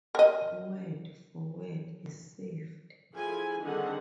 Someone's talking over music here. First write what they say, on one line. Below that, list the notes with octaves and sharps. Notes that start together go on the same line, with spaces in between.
Word for word is saved.
A#4 D#5
F3 E4 G#4 A4 G#5
D3 D#3 G3 C4 G#4 F#5